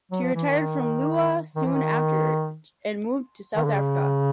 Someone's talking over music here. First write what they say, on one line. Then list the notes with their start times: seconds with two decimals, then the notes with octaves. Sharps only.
She retired from Lewa soon after and moved to South Africa.
0.12 F#3
0.22 F3
0.35 E3
0.47 D#3
1.56 D#3
1.66 E3
1.74 D#3
3.56 D#3
3.65 D3
3.74 C#3